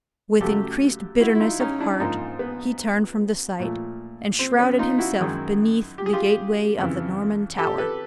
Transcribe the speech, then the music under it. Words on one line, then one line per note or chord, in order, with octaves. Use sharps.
With increased bitterness of heart, he turned from the sight, and shrouded himself beneath the gateway of the Norman Tower.
F#2 C#3 F#3 A3 G4 A4
E4 F#4
E4
D#4 F4
C#4 D#4
D4 E4
G#2 F3 A#3 D#4 F4
B3
A#2 F3 A3
C4
B3 C#4
D#4 F4
E4 F#4
F#2 D#3 G#3
G4
G#4
F4 G4
F2 C#3 E3
G4 A4
A4 B4